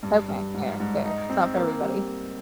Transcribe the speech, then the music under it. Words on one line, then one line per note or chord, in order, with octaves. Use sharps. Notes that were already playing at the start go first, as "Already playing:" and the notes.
Okay, fair, fair. It's not for everybody.
G2
G2
G#2
G#2
D#4
C4
A#3
G3